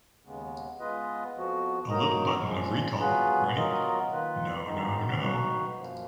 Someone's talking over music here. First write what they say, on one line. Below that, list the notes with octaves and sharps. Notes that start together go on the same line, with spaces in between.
The little button of re-call, right? No, no, no ...
D#2 C#3 G#3 B3
G#3 B3 F4 B4 D#5
F2 F3 B3 F#4
F#3 A#3 D#4 A#4 D#5
A#2 F3 G#3
F#3 B3 F4 G#4 B4
F#3 B3 F4 A#4 D#5
D#3 A#3 F4 B4
F#2 D#3 G#3 B3 D#4
D#3 A#3 D#4 F#4 B4
F#2 F3 A#3